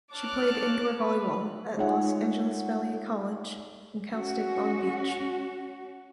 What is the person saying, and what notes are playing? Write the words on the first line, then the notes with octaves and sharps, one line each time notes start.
She played indoor volleyball at Los Angeles Valley College and Cal State Long Beach.
C#5 A5 D6 F6 F#6
B4
G#3 D#4 F4 C#5 E5 F#5
C#4 F#4